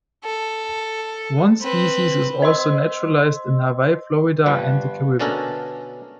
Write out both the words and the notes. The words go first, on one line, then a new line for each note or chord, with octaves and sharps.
One species is also naturalized in Hawaii, Florida, and the Caribbean.
A4
C4 B4
C5 D#5 C6 E6
G1 F3 G3 B4
B2 D3 C#4 D4 A4 A#4